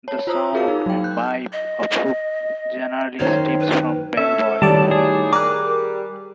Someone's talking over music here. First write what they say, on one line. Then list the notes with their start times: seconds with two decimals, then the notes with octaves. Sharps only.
The sound and vibe of Hook generally stems from Bellboy.
0.08 C#5 A5
0.27 F4 C5 C#5 A#5 D#6 E6
0.53 F4 F#4 G#4 A#4 C#5 F5
0.68 D#4
0.86 F#3 G5
1.04 F#6 G6
1.53 D#5
3.19 F#2 D#3 C5 C#5
3.60 B4
4.17 C#4 A4 E5
4.62 A2 D#3 F#3 G3 D#4 D5 A5
4.91 G#4
5.33 G3 G#4 A#4 D6 F#6